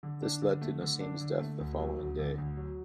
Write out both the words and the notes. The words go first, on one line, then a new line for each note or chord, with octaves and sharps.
This led to Naseem's death the following day.
D3
D4
D3
A3
D3
D4
D3
A3
D2
F#3
D2
D3
D2
F#3